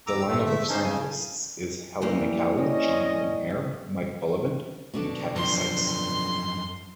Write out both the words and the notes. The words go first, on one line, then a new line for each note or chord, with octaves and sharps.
The line-up of scientists is Ellen McCallie, Jonathan Hare, Mike Bullivant, and Kathy Sykes.
E2 A#5 D6 E6
G#2 A3 C6
D3 G#3 G#4 E5
C#4 D#4 C5 A5
C#3 G#5
E3 G3 A#3
C#4 D#5
B2 D3 D4
F#2 F3 C6